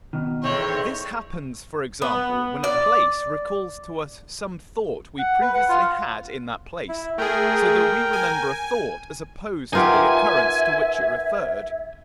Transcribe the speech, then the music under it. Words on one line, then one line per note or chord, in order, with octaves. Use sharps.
This happens, for example, when a place recalls to us some thought we previously had in that place, so that we remember a thought as opposed to the occurrence to which it referred.
B2 D#3
E2 A2 C4 D#4 C#5
B3
D5
F#5
B4
F#5
F4
E4
A3 G#4 A#4 G5 A#5
G#5
D#4 F4 G4 A#4 B4 E5 F#5 G#5